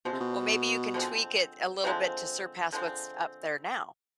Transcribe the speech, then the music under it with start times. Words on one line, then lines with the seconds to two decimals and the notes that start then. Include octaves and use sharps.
Well, maybe you can tweak it a little bit to surpass what's up there now.
0.05 B2 D3 F3 G#3 C4
0.13 C3
0.20 B2
0.94 D3 F3 G#3 C4
1.84 D3 F3 G#3 C4
2.72 D3 F3 G#3 C4